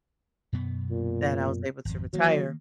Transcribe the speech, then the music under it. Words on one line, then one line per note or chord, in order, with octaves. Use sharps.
that I was able to retire,
F#2 B2 B3
A#2
G#1 F2
D#3 F#3 A#3